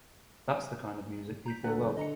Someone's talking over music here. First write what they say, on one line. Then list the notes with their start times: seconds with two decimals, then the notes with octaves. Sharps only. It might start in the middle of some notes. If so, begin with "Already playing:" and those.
That’s the kind of music people love.
1.46 A#5 G6 B6
1.64 D2 A4 B4 F#5
1.81 F#1
1.97 D3 D#5 A#5 C#7